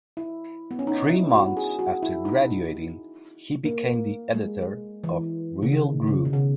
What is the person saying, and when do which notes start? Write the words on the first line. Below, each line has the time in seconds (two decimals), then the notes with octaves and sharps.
Three months after graduating he became the editor of "Real Groove".
0.17 E4
0.71 B3
0.79 C#4
0.87 D#4
1.10 E4
1.34 F#4
1.57 G#4
1.79 F#4
2.03 E4
2.25 D#4
3.65 A#3
4.34 G#3
5.04 E3
5.62 C#3
5.73 D#3
6.07 C#3
6.25 B2
6.33 C#3